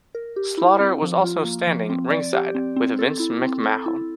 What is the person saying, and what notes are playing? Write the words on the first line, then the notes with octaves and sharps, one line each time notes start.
Slaughter was also standing at ringside with Vince McMahon.
A#4
G4
E4
C4
F3
F4
A#3
F3
C4
D5
G4
C4
C4
A4
E4
C4
A4
E4